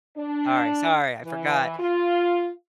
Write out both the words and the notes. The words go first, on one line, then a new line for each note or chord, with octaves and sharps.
Sorry, sorry, I forgot.
D4
E3
F4